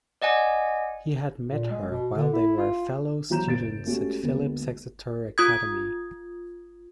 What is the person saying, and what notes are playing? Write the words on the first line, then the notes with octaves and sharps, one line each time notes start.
He had met her while they were fellow students at Phillips Exeter Academy.
D5 D#5 F#5 G#5
A#2
G#3
B2
D3
E4
F4
E3 F#3 A#5 G6 E7
F#1 A6 D7
G#3 A3 C#4 F#4 G4
D2 G#3 A#3 B3
F4 D#6 G#6